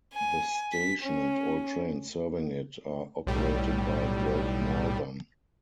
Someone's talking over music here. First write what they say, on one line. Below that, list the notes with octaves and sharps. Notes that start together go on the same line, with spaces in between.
The station, and all trains serving it, are operated by Great Northern.
G#5
B6
C#4
B1 A2 G3